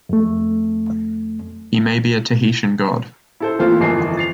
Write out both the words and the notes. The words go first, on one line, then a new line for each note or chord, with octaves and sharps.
He may be a Tahitian god.
F2 A3
E4 A4 C5
A#2 E3 F3 A3 C4 F4
G1 F2 E3 A#4 G#5 C7
A6 C7 F7